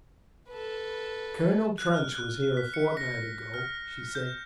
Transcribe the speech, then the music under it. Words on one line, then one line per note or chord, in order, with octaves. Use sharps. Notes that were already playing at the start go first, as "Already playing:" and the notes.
"Colonel Trench was here a fortnight ago," she said.
A4 B4
F#6
F6
F#6
B6
C#7
A#6
F6
G6